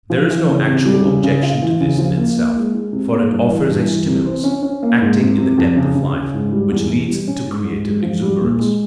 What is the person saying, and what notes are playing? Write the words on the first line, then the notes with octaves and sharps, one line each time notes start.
There is no actual objection to this in itself, for it offers a stimulus, acting in the depth of life, which leads to creative exuberance.
F3
E3
C#3
C3
G3
C#3
C#3
F4
E3
C#3
F3
A#3
A#3
G#3
G#3
C3
A#3
G2
E3
G2
E3
C3
C4
C#4
C#4
A#3
G#2
C3
C3
F2
C#3
C#3
C#3
G#2
G3
E2
E3
G3
C#4
G#2
G#2
G#3
F3
G3
A#2
G#3